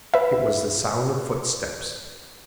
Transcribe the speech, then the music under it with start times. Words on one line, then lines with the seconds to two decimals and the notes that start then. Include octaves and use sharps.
It was the sound of footsteps!
0.14 B4 E5